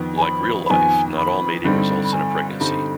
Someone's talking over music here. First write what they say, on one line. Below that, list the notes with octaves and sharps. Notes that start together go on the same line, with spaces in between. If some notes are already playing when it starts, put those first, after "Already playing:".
Like real life, not all mating results in a pregnancy.
Already playing: F2 D#3 B3
G#5
B5
B5
F2 D#3 B3 G#5
B5
G2 D3 G3 C4 D#4 B5
B5
G#5
G2 D3 G3 C4 D#4 B5